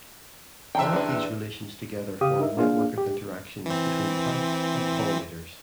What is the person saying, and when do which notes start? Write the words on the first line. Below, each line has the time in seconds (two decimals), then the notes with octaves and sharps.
All these relations together form a network of interactions between plants and pollinators.
0.75 E2 C3 G4 E5 G5 A5 A#5
0.93 D4 B4
2.21 C#3 G4 F5 D#6
2.40 D#4 A#4 E5
2.57 A#3 D4 F4 G#4 F5
2.98 G4
3.66 E3 C4